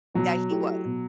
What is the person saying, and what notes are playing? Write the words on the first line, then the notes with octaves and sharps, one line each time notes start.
Yeah, he wa
B2 F#3
A3 E4 G4
B2